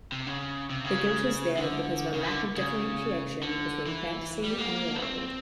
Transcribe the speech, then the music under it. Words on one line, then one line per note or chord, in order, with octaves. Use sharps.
The guilt is there because of a lack of differentiation between phantasy and reality.
C3
C#3
C3
C#3
D3
C#3
D#3
D3
C#3
D3
E3
G3
A#3
B3
C4